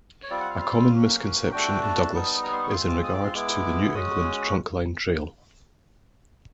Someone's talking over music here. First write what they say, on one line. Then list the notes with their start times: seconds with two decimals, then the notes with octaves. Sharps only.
A common misconception in Douglas is in regard to the New England Trunkline Trail.
0.23 C#5
0.30 G3 C4 F4 D5
0.40 F#5
0.50 F5
0.61 F5
0.90 F#3 A#3 C#4 F#4
1.52 A3 D4 F#4 G5
1.82 A5
2.13 G3 B3 D#4
2.43 A#5
2.53 C6
2.64 C#6
2.73 G#3 C4 F4 C6
2.88 D6
3.03 D#6
3.14 D6
3.24 C6
3.34 G#3 B3 E4 D6
3.94 G#3 C#4 F#4 D#6